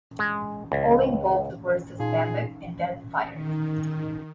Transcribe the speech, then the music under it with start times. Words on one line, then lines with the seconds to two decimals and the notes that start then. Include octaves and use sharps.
All involved were suspended and then fired.
0.19 G#3
0.72 C#2
2.00 A#2 D#4 G#4 F5 C6
3.31 D#3